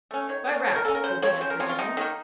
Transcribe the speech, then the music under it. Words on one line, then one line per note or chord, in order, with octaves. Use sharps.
"By raps," was the answer given.
A3 C#4
D#3 C#5
A#3 C#4
D#3 C#5
A#4
A#3 C#4 A4
A#4
C#3 C5
F3 C4 C#5
C#3 C5
A#4
F3 C4 C#5
F4
C3 D#4
D#3 A#3